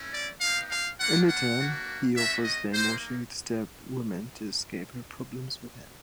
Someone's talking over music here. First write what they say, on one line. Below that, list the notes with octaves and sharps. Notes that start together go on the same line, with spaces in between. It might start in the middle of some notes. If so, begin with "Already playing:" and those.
In return, he offers the emotionally disturbed woman to escape her problems with him.
Already playing: A3 C#4 E4
D5
B3 D#4 G4 F5
F5
A#3 D4 F4 F#5
F#5
A#3 D4 F#4
A3 C#4 F#4 E5
D#5
A#3 D#4 C5